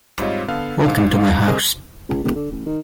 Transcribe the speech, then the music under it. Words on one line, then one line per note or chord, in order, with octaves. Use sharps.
Welcome to my house.
G#2 G3 C4 F4 C#5 D#5
D3 B3 A4 F5 F6
G#2 F5
C4 G4 G#4 A#4 D#5
C#2
E1
D3
A1
D#3